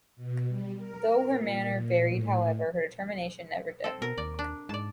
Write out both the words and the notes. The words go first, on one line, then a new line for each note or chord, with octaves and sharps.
Though her manner varied, however, her determination never did.
B2
G3
A#4
A#2
A2
C4 A4
B2 A#4
D#2 D5
D4
G#2 D5 A5